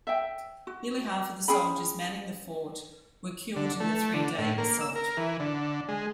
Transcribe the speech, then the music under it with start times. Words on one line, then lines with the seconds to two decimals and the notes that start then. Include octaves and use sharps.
Nearly half of the soldiers manning the fort were killed in the three-day assault.
0.07 E5 G5
0.67 F#4
1.48 C#4 G#4 G5 B5
3.56 D3
3.80 A3
4.14 D3
4.38 A2
4.58 A#3
4.81 E6
4.95 A#4
5.17 E3
5.40 D3
5.89 G#3